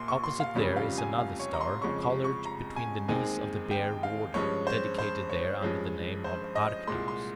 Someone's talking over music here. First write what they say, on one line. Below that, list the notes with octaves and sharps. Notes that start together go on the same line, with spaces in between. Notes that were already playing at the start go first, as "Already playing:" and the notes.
Opposite there is another star, coloured, between the knees of the Bear Warden, dedicated there under the name of Arcturus.
Already playing: A#1 A#2 A#3 C6
C#6
C6
F5
F1 F2 C#3 G3 C#5
F5
G#5
F5
C#5
A#5
C6
F2 C#3 G#3 C#4 C#6
C#6
C#6
A#5
G#5
D#2 D#3 G#3 C4 G#5
G5
F5
G2 F3 G#3 C#4 C#5
C5
C5
C#5
G2 F3 G#3 C#4
C5
D#5
C2 A#2 G#3 C6
C6